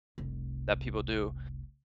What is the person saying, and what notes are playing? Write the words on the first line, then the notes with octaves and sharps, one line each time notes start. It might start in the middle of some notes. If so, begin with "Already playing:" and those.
that people do.
F1 C2